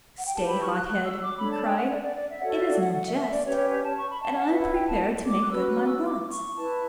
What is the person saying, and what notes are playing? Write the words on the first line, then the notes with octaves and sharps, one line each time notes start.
'Stay, hothead!' he cried; 'it is no jest, and I am prepared to make good my words.'
F#5
G5
E4 G4 B4 A5
B5
C#6
F#6
F#6
E6
D6
D4 A4 C#5 B5
A5
G5
F#5
D5
D5
D5
E5
F#4 A4 C#5 F#5
E5
D5
F#5
F#5
E5
E5
D5
C#4 G4 B4 C#5
C#5
C#5
A5
C#6
B5
A5
F#5
E4 B4 E5
F#5
G5
A5
D6
F#6
C#4 F#4 B4 E6
F#6
E6
D6
C#6
E4 B4 A5